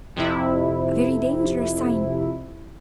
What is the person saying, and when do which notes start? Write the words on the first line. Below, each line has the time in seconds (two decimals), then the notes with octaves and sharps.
'A very dangerous sign!
0.16 F2 C3 E4